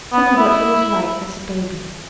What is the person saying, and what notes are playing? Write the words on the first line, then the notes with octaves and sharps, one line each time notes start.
Tell me what he was like as a baby.'
B3
E4